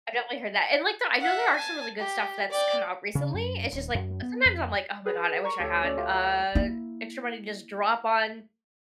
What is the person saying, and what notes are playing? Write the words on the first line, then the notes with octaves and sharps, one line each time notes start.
I definitely heard that and, like, the I know there are some really good stuff that's come out recently. It's just, like, sometimes I'm like, "Oh my god, I wish I had, uh, extra money to just drop on
E5 F#5
G#5 A5
G4
D5 G5
C#3
F#2
D#1
F#2
B3
F2
G#4 B4
A#4 A#5 C#6
D2 G4 A4 C#5
C#4 A4 D5
A3 F4 G4
A#3 E4